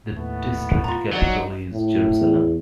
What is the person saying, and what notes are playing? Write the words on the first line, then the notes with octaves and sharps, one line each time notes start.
The district capital is Jerusalem.
D#2 A2 A3 B3
F4 A#5
F#3 D#4 F#4 D5 F#5
A2
E2